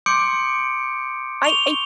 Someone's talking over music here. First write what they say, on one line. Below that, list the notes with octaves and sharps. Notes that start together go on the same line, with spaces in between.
I I
C6 D6 D#6 G6 C#7 D7
C#6 F7 G7